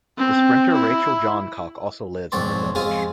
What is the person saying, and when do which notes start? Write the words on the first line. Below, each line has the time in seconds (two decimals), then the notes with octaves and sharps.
The sprinter Rachel Johncock also lives in the village.
0.17 C4
0.73 E4
2.32 B1 F2 G#2 C#5 D5 C6
2.75 F2 G#3 F4 G#4 F5 D#6